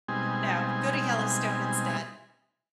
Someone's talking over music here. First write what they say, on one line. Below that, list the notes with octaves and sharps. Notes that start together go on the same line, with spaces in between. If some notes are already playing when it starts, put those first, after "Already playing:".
No, go to Yellowstone instead.
B2 G3 G#3 C4 D#4 G#5